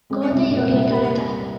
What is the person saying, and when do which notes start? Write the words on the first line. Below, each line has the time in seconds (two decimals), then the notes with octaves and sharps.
Code Yogyakarta.
0.10 G#3 C4
0.30 C2
0.50 A#2 C4
0.71 C2
0.91 G3 A#3